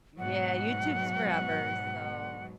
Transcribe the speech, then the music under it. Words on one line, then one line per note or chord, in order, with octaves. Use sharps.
Yeah, YouTube's forever, so
G#2 B2 F#3 F#5